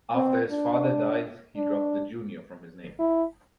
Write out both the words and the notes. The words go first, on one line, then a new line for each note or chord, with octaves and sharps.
After his father died, he dropped the "Junior" from his name.
C4
D4
D4
E4